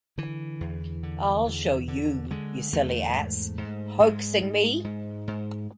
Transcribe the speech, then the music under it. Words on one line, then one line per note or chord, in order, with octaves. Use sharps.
I'll show you, you silly ass — hoaxing me!
D3 E3
E2
D3
E2
D3
D3 G#3
E2 A3
G#2
G#2
G#2 G#3
G#2
G#2
G#2